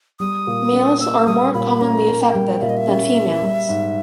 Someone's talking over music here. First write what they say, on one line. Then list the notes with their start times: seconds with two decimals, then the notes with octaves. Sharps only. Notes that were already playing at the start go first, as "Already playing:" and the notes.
Males are more commonly affected than females.
0.20 G3 D#6
0.47 A#2
0.73 C#4
1.00 A#3 E6
1.27 G3 D#6
1.54 A#2 B5
1.81 C#4 A#5
2.08 A#3
2.21 G5
2.34 G3
2.62 A#2 E5
2.69 D#5
2.77 E5
2.88 C#4
3.15 A#3
3.42 G3
3.69 G#2